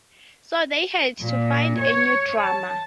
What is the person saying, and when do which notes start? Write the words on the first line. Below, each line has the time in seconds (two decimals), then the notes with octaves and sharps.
So they had to find a new drummer.
1.20 A#2
1.78 C#5
2.43 A5